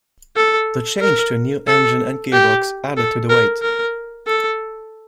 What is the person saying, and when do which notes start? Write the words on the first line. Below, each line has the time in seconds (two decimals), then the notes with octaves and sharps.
The change to a new engine and gearbox added to the weight.
0.36 A4
1.01 A#4
1.67 A4
2.32 G4
2.97 A4
3.29 A#4
3.62 A#4
4.27 A4